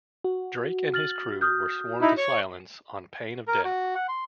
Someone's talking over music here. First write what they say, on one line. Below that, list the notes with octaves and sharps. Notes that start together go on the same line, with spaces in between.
Drake and his crew were sworn to silence on pain of death.
F#4
F6 A6 F#7
D#6 F6 G6
D#4 E4
C#5 C#6
A#4
F#4
F#5
C6